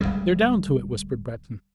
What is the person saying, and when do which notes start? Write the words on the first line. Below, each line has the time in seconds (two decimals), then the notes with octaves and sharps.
"They're down to it!" whispered Breton.
0.01 D1 E2 G3 G#3